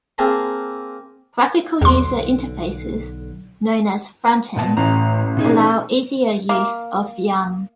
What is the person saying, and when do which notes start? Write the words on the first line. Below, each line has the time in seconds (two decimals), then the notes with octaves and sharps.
Graphical user interfaces, known as "front-ends", allow easier use of yum.
0.18 A#3 C4 G#4 A5 A#5 C6
1.81 B1 E2 D3 C6
4.57 A#2 B3 A5
4.77 A1 A2 A#5
5.37 B2 D#4 G#4
6.49 A#3